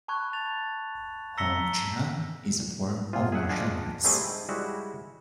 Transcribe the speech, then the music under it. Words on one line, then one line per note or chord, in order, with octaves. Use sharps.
Hung Gar is a form of martial arts.
A5 B5 C#6 F#6 G#6
A6 F7
A#5 E6 A#6 B6 C#7 G7
C3 F3 F4 G#4
G#4 E5 F#5 G5
D4 F4 G#4 D#5
G3 A3 C4 F#4 G#4 G5
G#2
G3 G#3 E4 F#4 C#5